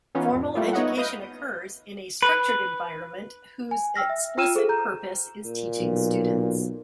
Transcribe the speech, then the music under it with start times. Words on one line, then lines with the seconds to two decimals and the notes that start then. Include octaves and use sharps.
Formal education occurs in a structured environment whose explicit purpose is teaching students.
0.15 E3 B3 C#4 D#4 F4
0.31 A1 F2
0.55 G3 A3 A#3 E4 F4
0.73 B3 D#4 C#5 D#5 E5 F#5
0.97 B4 D#5 F5 D#6 G6
2.22 B4
3.71 G#5
3.96 G5 E6 F6 A#6
4.09 E5
4.37 F4 G5 E6 F6 D#7 E7
4.55 G#4 A4 C5
4.69 A#5 G6
5.46 A#2
5.78 B1